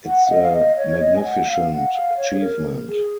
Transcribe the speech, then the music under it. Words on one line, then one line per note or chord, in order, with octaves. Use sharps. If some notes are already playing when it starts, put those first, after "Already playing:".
It's a magnificent achievement.
F#5
F5
D#5
F5
D#5
C#5
D#5
G#5
F#5
F5
F#5
F5
C#5
G#4
A#4
G#4